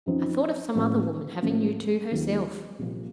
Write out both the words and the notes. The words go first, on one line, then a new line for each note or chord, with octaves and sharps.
I thought of some other woman having you to herself.
F#2 F3 C4 D#4
A1 A2 F3 A#3 F4
A1 A2 F3
D#2 D#3 F#3 C4 F4
C2 A#2 F3 A#3